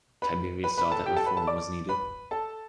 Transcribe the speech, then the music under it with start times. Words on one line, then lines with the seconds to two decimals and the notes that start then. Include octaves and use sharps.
Tiberius saw that reform was needed.
0.22 B4 B5
0.64 B4 B5
0.78 B4 B5
0.92 A4 A5
1.06 G4 G5
1.16 A4 A5
1.26 B4 B5
1.37 A4 A5
1.47 D5 D6
1.89 B4 B5
2.31 A4 A5